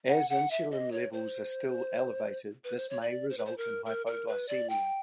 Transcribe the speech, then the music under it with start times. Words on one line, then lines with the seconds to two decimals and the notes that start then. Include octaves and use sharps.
As insulin levels are still elevated this may result in hypoglycemia.
0.08 F#5
0.30 F#5
0.51 E5
0.71 D#5
0.92 C#5
1.13 C5
2.64 B4
2.76 C5
2.89 C#5
3.01 D5
3.30 C5
3.37 B4
3.46 C5
3.58 A#4
3.85 A#4
4.06 A#4
4.27 B4
4.49 D5
4.70 G5